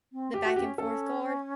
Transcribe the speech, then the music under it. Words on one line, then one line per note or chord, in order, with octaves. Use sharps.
The back-and-forth guard.
C4
G4
F#4
C#4 G4
C#4 A4